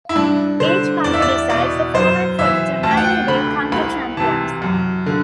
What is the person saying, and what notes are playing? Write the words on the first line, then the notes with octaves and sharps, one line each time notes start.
Each county decides the format for determining their county champions.
E4
G2 D4
D3 C5
E2 D5
E5
D5
B2 D5
F#2 C5
E3 E5
D2 A5
G5
F#5
G5
D3 B5
C2 B5
C3 E3 A5
F#2
D3